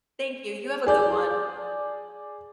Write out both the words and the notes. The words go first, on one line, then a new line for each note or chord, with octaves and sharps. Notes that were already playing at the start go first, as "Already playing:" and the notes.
Thank you. You have a good one.
G#4 D5 G6